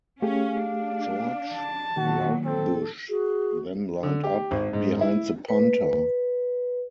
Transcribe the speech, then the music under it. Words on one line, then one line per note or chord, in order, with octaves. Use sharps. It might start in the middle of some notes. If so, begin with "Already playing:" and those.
George Roudebush then lined up behind the punter.
A3 C#4 G4 G#4 F5
D4
A5
A#2 D#3 F#3 F#4
C4 A4
F#4 G#4
D3
G4
G#1
G#2
E4
B4